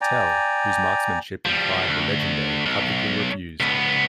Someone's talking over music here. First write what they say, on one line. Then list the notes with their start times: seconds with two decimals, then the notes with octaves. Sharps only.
Tell, whose marksmanship and pride were legendary, publicly refused.
0.01 D5 G5 G#5 A#5
1.45 F3 G3
1.88 D2
2.66 B1
3.60 C#2 B3